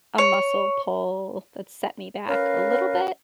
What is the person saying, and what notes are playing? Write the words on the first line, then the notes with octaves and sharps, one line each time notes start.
a muscle pull that set me back a little bit,
C#5
C#4 A#4 B4 F5